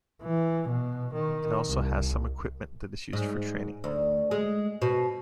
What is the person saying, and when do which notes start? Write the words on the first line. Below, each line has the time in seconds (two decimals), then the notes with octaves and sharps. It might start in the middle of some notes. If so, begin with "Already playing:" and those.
It also has some equipment that is used for training.
0.22 E3
0.69 B2
1.15 D#3
1.66 C2
3.13 G#2
3.84 D2
4.31 G#3
4.82 B2